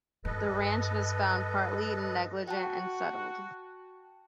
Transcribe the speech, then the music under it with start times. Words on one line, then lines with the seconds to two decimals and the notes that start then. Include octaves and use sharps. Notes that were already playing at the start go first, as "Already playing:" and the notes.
The Ranch was found partly negligent and settled.
0.25 G2 A4 B4 D#5
2.48 F#4 G5 A5